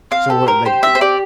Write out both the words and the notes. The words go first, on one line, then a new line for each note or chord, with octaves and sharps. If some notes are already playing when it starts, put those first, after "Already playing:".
So what, like, did they
C4 F5
G4 A4
C4 A#4
G4 C5
C4 E5
C5
G4 D5